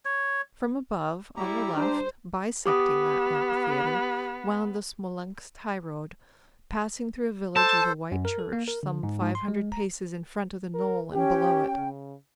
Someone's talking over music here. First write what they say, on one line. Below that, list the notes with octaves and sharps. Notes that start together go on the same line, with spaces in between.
From above on the left, bisecting that amphitheater, wound the Smolensk highroad, passing through a village with a white church some five hundred paces in front of the knoll and below it.
C#5
G3 E4 G4 A#5
D4 C5
B3 G4 D6 D#6
A4 C5 A5
F#2
A#4
A4
A#3
A#4
D3
G#2
G#2
C6
G#3
A#5
A#4
C#4 G4 G5
C#3